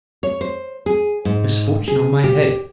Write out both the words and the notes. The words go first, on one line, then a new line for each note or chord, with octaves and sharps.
Misfortune on my head!
C#5
C5
G#4
G#2
G#4
G4